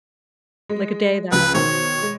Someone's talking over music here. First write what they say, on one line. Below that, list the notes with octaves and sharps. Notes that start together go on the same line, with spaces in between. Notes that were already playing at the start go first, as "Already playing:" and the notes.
like a day that,
G#3
C#2 C#3 F3 B4
B2 D#3 C5 C#5
G#3